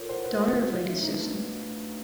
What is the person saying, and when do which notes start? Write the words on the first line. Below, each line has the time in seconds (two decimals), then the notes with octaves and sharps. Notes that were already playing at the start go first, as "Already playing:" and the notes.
Daughter of Lady Susan.
Already playing: F4 A4 A#4 C#5
0.09 C5 F#5
0.24 F4 B4
0.33 C5
0.40 C#5
0.56 A3 F#4
0.72 F4 F#4
0.87 D4 E4
1.03 D#4 B4
1.19 A3